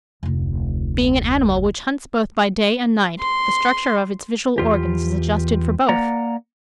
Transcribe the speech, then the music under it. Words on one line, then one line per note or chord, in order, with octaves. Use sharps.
Being an animal which hunts both by day and night, the structure of its visual organs is adjusted for both.
F1 D2
C6
E2 F4 G4
A#3 D5 F#5 A#5